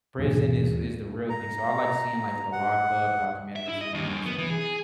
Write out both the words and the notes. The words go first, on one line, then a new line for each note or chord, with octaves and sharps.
prison is is the real thing so, I like seeing like the Lockup documentary series and,
D#2 G#2 B2 E3 G#4
A#5
F#5
E5
E4
D#5
D#2
F#2
B3
E3
G#4